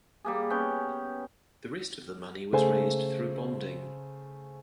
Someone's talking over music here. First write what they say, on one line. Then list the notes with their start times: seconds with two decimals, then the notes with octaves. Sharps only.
The rest of the money was raised through bonding.
0.25 G3 A#3 G#4
0.50 B3 C#4 G5
2.53 C#3 A3 C5 G#5